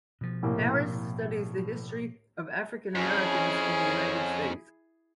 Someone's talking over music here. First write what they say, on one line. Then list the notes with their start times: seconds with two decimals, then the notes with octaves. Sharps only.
Harris studies the history of African Americans in the United States.
0.21 B2 F3
0.43 C2 A2 A#3
2.95 F2 C#4 E4 G#4